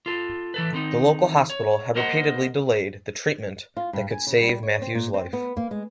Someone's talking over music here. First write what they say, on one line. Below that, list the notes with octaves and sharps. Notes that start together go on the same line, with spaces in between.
The local hospital had repeatedly delayed the treatment that could save Matthew's life.
F4 A4
E3 A4 B4
D#3 C4 D#4
C#5
A#3 A#4 C5 D#5 F#5
F4
G2
G#5
C#3
G3
C#5
C4
A#2
C4
B3
A#3
G#3